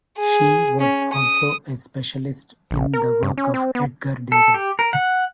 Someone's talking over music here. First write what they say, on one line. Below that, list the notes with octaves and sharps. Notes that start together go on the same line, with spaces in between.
She was also a specialist in the work of Edgar Degas.
G#4
C#4
D#6
A#1
A#4
G2
C#4
C4
B3
A4
G4
A#4
F#5